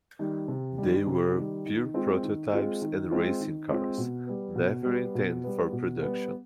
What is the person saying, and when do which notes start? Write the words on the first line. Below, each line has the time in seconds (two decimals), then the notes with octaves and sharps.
They were pure prototypes and racing cars, never intended for production.
0.19 D#3 G3
0.48 C3
0.78 D#3 G3
1.07 C3
1.36 D#3 G3
1.66 D#3
1.94 G#3 C4 F4
2.23 D#3
2.53 G#3 C4 F4
2.82 D#3
3.11 G#3 C4 F4
3.40 D#3
3.68 G#3 C4 F4
3.98 B2
4.27 G3 B3
4.55 B2
4.85 G3 B3
5.15 B2
5.44 G3 B3
5.72 B2
6.02 G3 B3